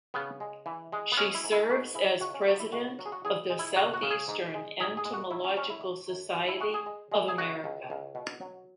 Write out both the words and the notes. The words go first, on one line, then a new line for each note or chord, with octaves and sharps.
She serves as President of the Southeastern Entomological Society of America.
C#3 B3
G#3
E3
G#3
B3
G#3 C#4
E4
G#2
E4
G#2 F#4
G#3 E4
C#2 F#4
C#4
F#3 F#4
E4
C#2 F#4
F#3 F#4
G#4
F#4
E2 G#4
G#3
E4
C#3 F#4
F#4
C#3
G#4
G#2
G#3
G#2 G#4
G#4
G#3
F#4
F#3 E4
C#4
F#3 C#4
E4
F#3
F#2
F#2 F#4
E4
G#3 F#4
G#4
G#3
G#3
G#4
C#2 F#4
C#2
C#2
B2
F#3